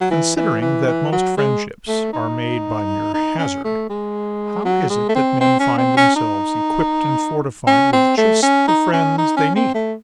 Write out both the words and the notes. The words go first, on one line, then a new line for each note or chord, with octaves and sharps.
Considering that most friendships are made by mere hazard, how is it that men find themselves equipped and fortified with just the friends they need?
F#3
E3
E3
E3
E3
F#3
G#3
A3
D#4
D#4
C#4
A3
G#3
F#3
G#3
A3
C4
C4
C#4
C4
C#4
D#4
C#4
C4
A3
C#4
D#4
C#4
D#4
C#4
C4
A3